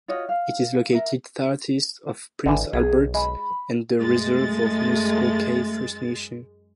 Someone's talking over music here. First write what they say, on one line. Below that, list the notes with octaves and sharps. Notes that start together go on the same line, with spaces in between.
It is located southeast of Prince Albert and the reserve of Muskoday First Nation.
F4 F#4 C#5 D#5
F5
A#4 E5
G#1 D3 E3
B1 G#4
G#3 B5
F#2 G#3 A3 A6